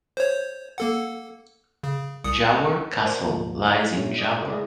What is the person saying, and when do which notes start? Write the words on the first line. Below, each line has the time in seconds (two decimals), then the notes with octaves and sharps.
Jawor Castle lies in Jawor.
0.17 C5 C#5
0.78 A#3 A4 F#5
1.83 C#3
2.24 C2 D#6 C#7
3.00 A#4 C5 D5
3.24 D2 G#2 F3 A#3
3.67 D#4 E4 D5 G#5 A#5 C#6
3.93 A#2 G3 C#4 D4 E4
4.18 D5 D#6
4.48 G#3 E4 G#4 B4 D5 D#5